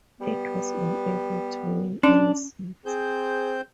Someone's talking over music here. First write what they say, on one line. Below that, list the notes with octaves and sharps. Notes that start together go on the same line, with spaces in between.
It was unable to win any seats.
G3 B3
C#4 D4
C4 G#4 C5 G6